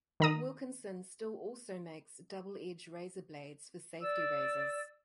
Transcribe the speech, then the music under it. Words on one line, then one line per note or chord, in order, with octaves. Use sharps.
Wilkinson still also makes double edge razor blades for safety razors.
D#3 A#5 D#6
D5 E6